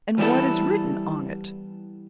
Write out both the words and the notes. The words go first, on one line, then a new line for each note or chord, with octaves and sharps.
"And what is written on it?"
E3 G3 B3 E4 A4